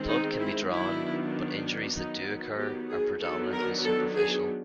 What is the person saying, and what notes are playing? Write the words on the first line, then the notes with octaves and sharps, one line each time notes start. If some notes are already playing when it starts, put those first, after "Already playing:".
Blood can be drawn, but injuries that do occur are predominantly superficial.
Already playing: D#3 G#3 C4
D#4
E4
D#3 F#3 B3 D4 E4
D#3 F#3 B3 D#4
G4
G#4
D#3 F#3 B3 D4 A4
A#4
A4
G#4